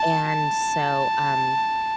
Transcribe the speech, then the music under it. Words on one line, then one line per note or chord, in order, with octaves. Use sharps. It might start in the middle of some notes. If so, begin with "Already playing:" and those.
and so, um,
Already playing: A5
A5